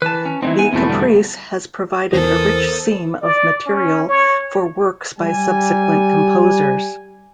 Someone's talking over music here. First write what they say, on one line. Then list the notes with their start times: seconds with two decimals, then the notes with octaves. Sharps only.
The caprice has provided a rich seam of material for works by subsequent composers.
0.02 E3 B4 A5
0.26 C#4
0.42 E3 G#3 C4 D#4 E4
0.59 B3 G#5
0.73 E2 B2 A3 C4 E4 B4
0.89 D3 G3 D5
2.13 E2 E3 A4 A#4 C5 D#6
3.22 D5
3.66 C#4
4.09 C#5
5.19 G3 G#5